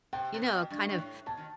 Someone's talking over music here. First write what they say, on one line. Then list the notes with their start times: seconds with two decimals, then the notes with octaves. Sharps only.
you know, kind of,
0.13 C3 G5
0.34 C3
0.42 B2
0.70 G2
0.89 G2
0.98 A2
1.26 B2 A5
1.37 D#3